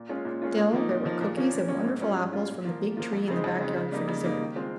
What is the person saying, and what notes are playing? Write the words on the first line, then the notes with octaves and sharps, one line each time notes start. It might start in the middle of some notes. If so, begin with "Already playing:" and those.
Still, there were cookies and wonderful apples from the big tree in the back yard for dessert.
Already playing: A#2
G#3 C#4 F4
A#2
G#3 C#4 F4
A#2
F3 A#3 D#4
A#2
F3 A#3 D#4
A#2
F3 A#3 C#4
A#2
F3 A#3 C#4
G#2
G3 C#4 F4
G#2
G3 C#4 F4
A#2
F3 A#3 F4
A#2
F3 A#3 F4
F2
C#3 G#3 C4 D#4
F2
C#3 G#3 C4 D#4
C#3
G3 A#3 D#4
C#3
G3 A#3 D#4
D#3
G#3 C4 F4